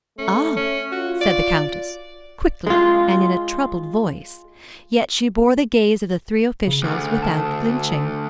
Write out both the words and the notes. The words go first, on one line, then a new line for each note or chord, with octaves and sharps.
"Ah!" said the Countess, quickly and in a troubled voice, yet she bore the gaze of the three officials without flinching.
A3 C#4
C#4
F4 F#4
D5
G#3 F4
C#3
D2
A5